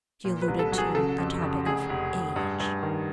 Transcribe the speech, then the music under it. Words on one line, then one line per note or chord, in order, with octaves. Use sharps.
She alluded to the topic of age.
A#2
B4
C2
A4
F#3
G#4
C#3 A4
F2
C#3
F1 G#4
F1
F1
G2
G2
D#3